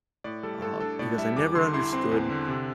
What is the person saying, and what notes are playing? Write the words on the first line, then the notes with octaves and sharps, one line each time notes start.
um, he goes, "I never understood
A2 D5
G3 A4
A2 A4
D4 A4
A2 D5
G3 E5
E2 D6
D3 C6
E4 C6
C4 C6
E2
D3
C3